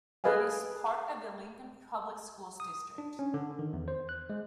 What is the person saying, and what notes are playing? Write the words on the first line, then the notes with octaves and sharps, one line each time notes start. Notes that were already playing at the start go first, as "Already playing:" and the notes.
It is part of the Lincoln Public Schools district.
G#4 A4 B4 D#5 F5 G#5
D#6
D4
C#4
D3
D#3
E2
C5
F#6
G#3